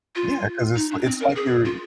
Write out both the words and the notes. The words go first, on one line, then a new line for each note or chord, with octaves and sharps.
Yeah, 'cause it's li it's like you're
F4
D#4
D4
C4
A#4
G#4
F4